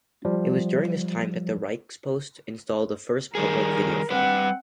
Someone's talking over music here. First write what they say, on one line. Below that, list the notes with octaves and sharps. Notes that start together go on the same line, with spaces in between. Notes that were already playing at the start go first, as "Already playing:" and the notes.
It was during this time that the Reichspost installed the first public videophone.
F3 G3
D#3 G3 G#4 A#4
G3 C4 B4 F#5